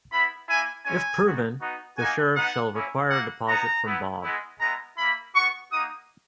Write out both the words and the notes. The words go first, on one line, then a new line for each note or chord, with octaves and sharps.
If proven, the Sheriff shall require a deposit from Bob.
B3 E4 B5
A#3 E4 G#5
G#3 C#4 E4 G#5
B3 D#4 F#4
B3 D#4 F#4
A#3 D#4 F#4 G#5
B3 D#4 F#4 F#5
A#3 C#4 E4
A#3 E4 F#5
B3 D#4 F#4 A#5
B3 E4
G#3 B3 E4
G#3 B3 E4 A#5
A#3 E4 B5
B3 F#4 C#6
A#3 D#4 F#4 D#6